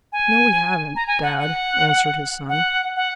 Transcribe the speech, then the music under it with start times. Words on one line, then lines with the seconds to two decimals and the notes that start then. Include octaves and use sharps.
"No we haven't, dad," answered his son.
0.12 G#5
0.96 A#5
1.07 G#5
1.23 F#5
1.38 F#5
2.49 F#5
2.96 F#5